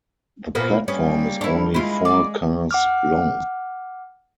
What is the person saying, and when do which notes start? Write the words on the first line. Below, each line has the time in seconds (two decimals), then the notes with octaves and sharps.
The platform is only four cars long.
0.55 A#2 A#3 B3
0.88 G3 A#3 C#4 B4 D#5
1.41 D4 E4 A#4 C#6
1.74 G#3 E4 F4
2.05 D5
2.71 F#5 D6 F6